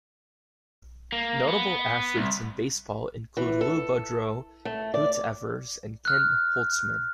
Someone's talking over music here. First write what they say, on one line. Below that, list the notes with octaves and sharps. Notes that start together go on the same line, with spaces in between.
Notable athletes in baseball include Lou Boudreau, Hoot Evers and Ken Holtzman.
A#3
B3
C2
E3
A4
A3
D5
F6 F#6